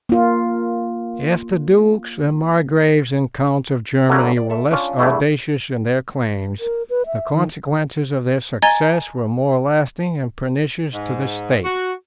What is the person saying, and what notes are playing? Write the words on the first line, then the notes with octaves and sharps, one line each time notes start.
If the dukes, margraves, and counts of Germany, were less audacious in their claims, the consequences of their success were more lasting and pernicious to the state.
A#3 F4
D3 F#3 A3 A#3 C#4 E4
D5
A4 E5
C#4 D4 F4
E2 G2 E3 A3 E4
A#4
B4
E5
D#3
D#5 G#5 A#5 G#6 A6 G7
G#2
F#4